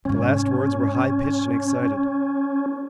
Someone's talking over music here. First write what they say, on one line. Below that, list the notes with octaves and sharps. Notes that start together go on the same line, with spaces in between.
The last words were high-pitched and excited.
G#2 C3 C#4